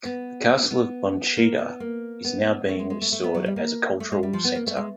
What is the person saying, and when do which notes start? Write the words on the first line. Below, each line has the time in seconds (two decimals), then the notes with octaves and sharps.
The Castle of Bonchida is now being restored as a cultural center.
0.05 B3
0.49 B3
0.71 B3
1.37 A#3
1.58 B3
1.80 A#3
2.25 B3
2.69 A3
2.79 G#3
2.90 G#3
3.02 A3
3.12 A3
3.24 B3
3.35 F#3
3.46 G3
3.56 A#3
4.00 A3
4.12 G#3
4.23 G3
4.33 F3
4.44 B3
4.55 A#3
4.67 A3
4.77 G#3